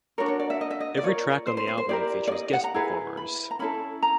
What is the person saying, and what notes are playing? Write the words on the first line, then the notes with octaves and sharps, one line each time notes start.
Every track on the album features guest performers.
D4 F#4 A#4 C#5
C#5
D5
E5
D#5
E5
D#5
D5
F4 A#4 C#5
C5
C5
C5
C5
E4 G4 A#4 D5
D5
D#5
F#5
A#5
E4 G#4 B4
B5
A#5
C#4 E4 A4 B5
A#5